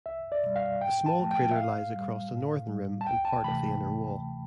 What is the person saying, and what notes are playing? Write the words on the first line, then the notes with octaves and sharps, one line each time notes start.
A small crater lies across the northern rim and part of the inner wall.
C2 E5
D5
B2 G3
F5
A2 G5
A5
F3 A3
G5
E5
A2 F5
G3
A2
G3
A5
D2 G5
A5
C3 E3 A3 B5